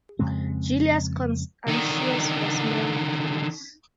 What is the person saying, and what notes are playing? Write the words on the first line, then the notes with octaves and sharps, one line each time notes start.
Julius Constantius was married twice.
F2 C#3 G#3 C4
D3 D#3